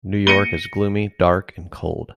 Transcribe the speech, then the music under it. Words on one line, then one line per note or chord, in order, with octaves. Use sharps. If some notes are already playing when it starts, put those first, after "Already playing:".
New York is gloomy, dark and cold.
A#6 C#7 D#7 G7